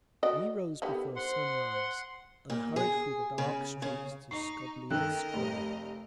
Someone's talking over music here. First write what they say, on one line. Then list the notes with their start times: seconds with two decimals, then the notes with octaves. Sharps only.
We rose before sunrise, and hurried through the dark streets to Skobeliev Square.
0.23 F#4 D5 D#5
0.82 D3 D#3 B3 G4
1.16 C5 F#5 C6
2.50 A#2
2.76 G#4
3.38 C#3
3.82 C#3
4.31 D#4 C#6 C7
4.91 D#3 A4 A#4 D#5 G5 F#6
5.34 F1 G3